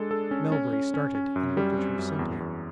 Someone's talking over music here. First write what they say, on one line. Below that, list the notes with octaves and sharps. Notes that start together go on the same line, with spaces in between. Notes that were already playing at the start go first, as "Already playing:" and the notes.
Melbury started, and looked at her simply.
Already playing: G#3 D4 A4
A4
C#4
C#4
C#4
C#4
C#4
F#2
G3
C4
F#2
E2
E2